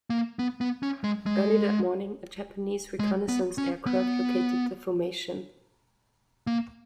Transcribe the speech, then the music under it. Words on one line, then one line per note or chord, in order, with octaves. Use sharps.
Early that morning, a Japanese reconnaissance aircraft located the formation.
A#3
B3
B3
C#4
G#3
G#3
G#3
B3
C#4
B3
A#3